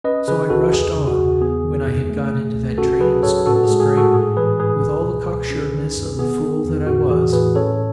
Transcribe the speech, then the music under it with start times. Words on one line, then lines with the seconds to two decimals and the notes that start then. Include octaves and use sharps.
So I rushed on, when I had got into that training school scrape, with all the cock-sureness of the fool that I was! ...
0.04 C#4 B4 D#5
0.28 C#3 G#4 B4
0.50 C#2 F#4 A4
0.73 E2 G#4
0.96 C#3
1.07 F#4
1.19 E2
1.41 B3 G#4
1.65 D#3
1.87 F#2
2.10 A3
2.32 B2
2.55 C#2
2.78 C#4 F#4 A4
3.00 F#3 G#4 B4
3.23 G#2 A4 C#5
3.46 A2 F#4 A4
3.56 A4
3.64 G#3 G#4
3.80 G#4
3.91 A2
3.97 F#4 A4
4.14 G#2 G#4
4.37 E3 G#4 B4
4.60 G#2 G#4 B4
4.82 C#2
5.05 B2
5.28 C#2
5.50 C#4
5.73 D#3
5.97 F#2
6.19 B3 G#4
6.42 D#3
6.64 E2
6.87 A2 F#4
7.09 E3 G#4
7.33 A2 G#4 B4
7.55 C#4 A4 C#5